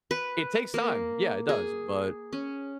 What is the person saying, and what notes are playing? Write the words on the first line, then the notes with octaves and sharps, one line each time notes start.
it takes time. Yeah, it does. But,
B4
A#3
G#4
C#4